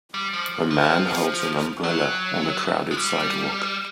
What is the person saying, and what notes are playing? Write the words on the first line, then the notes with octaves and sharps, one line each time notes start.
A man holds an umbrella on a crowded sidewalk.
G3
F3
F3
F#3
G#3
G3